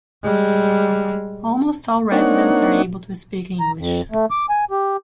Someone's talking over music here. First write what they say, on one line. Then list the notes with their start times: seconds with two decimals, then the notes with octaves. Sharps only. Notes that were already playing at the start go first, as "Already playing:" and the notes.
Almost all residents are able to speak English.
0.23 G3 G#3
2.12 A#3 C4 D4 D#4 C#5 F#5
3.60 A#5
3.79 F2
4.12 A3
4.31 D6
4.49 G#5
4.71 G4